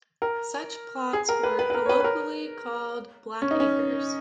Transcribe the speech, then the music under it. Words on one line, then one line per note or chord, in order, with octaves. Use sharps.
Such plots were colloquially called "Blackacres".
A#4
G#4
A#4
B4
B4
B4
A#4
C#5
B4
B4
A#4
C#4
D#4
C#4